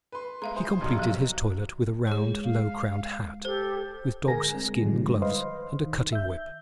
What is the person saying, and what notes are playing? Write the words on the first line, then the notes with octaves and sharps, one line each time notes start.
He completed his toilet with a round, low-crowned hat, with dog's-skin gloves, and a cutting whip.
B4 C6
G#3 E5 F5 A#5
G#4 C5 C6
B1 G2 F#3
F3 F5
G#2 G#4 C#5
F5
G4 A4 C5
G#2 D3 G#4 A#4 G#5 A#6
G#3 C4
G2 D3 D#3 F3 G3 G#3
B4 C5 D#5 F5 C6
D#3
E5 G6